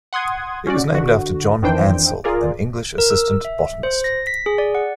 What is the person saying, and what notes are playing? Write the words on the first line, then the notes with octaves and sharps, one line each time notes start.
It was named after John Ansell, an English assistant botanist.
F#5 C6 D#6 G#6
C#4 F#4 D5
D3 F#4
F2 D#3 E3 D4 C5 G5
F4 G#4 A#4 D5
A#4
E6
E5
C5
A#6
B6
G#4
D5
F#5